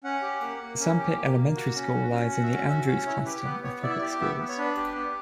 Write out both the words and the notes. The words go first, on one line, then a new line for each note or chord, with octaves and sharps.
Sampit Elementary School lies in the Andrews cluster of public schools.
C#4 F#5
G4
A#3
A#3
C#4
G4
A#3
A#3
F#4
C#4
F#4
C#4
F#4 F#5
E5
C#4 F#5
F#4 E5
C#4
E4 C#5
G4 B4
B3 B4
B3 C#5
E4 D5
E5
D5
G4
B3 E5
B3
C#5
D4 B4
G4
B3